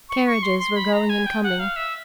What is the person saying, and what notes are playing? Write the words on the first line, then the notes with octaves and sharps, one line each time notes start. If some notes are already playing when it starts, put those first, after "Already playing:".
Carriages were going and coming.
C#6
C#6
C6
C6
B5
A#5
G#5
G5
F#5
F5
E5